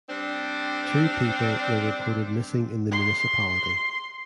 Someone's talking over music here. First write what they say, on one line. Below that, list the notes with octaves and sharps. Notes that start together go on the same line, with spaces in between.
Two people were reported missing in the municipality.
G3 C4 D4
C6